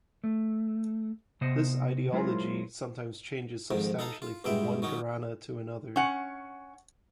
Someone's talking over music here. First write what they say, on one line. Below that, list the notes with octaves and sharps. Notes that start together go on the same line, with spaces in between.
This ideology sometimes changes substantially from one gharana to another.
A3
C3 B3 C5 D#5 F#5
F#3 G#3 E4 F4 A#4 C5
F2 G#2 D#3
D#4 A4 F5 A#5
F4
G2 B2 G#3 E5 G5
D#3 F#3 C#4 D#4
C#4 F#5